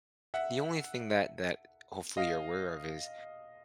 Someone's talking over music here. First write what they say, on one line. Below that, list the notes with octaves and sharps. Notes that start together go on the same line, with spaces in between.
the only thing that that, hopefully, you're aware of is
E5 F#5
D#5 F5